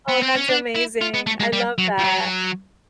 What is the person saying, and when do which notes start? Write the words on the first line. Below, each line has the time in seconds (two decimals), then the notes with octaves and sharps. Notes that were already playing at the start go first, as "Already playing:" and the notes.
Oh, that's amazing, I love that.
0.09 B3
0.23 C4
0.36 C#4
0.50 D4
0.76 E4
1.02 F4
1.14 B3
1.27 A3
1.40 G#3
1.53 G3
1.78 F#3
1.99 F3
2.04 F#3